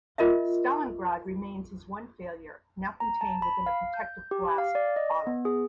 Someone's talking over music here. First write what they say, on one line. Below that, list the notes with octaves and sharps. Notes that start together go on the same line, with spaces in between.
Stalingrad remains his one failure, now contained within a protective glass "bottle".
F4 A#4 D#5 E5
A#5
A5
B5
F5
G6
G4
F5
D5
D#5
B3
G#4